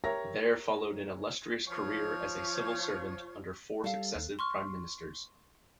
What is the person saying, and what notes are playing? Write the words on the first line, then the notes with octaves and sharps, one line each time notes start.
There followed an illustrious career as a civil servant under four successive Prime Ministers.
G4 A#4 C#5 E5 A#5 A#6
F3 C#5
G3 A4 F5
D#2
C6 C#6 F6